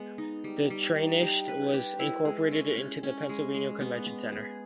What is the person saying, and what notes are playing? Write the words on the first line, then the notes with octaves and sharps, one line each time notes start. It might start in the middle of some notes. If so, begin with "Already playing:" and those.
The trainshed was incorporated into the Pennsylvania Convention Center.
Already playing: G#3 B3
D#4
G3
G3
D#4
G4
B4
G4
E4
G#3
C#4
C#4
C#4
G#3
G#3
B3
B3
G#4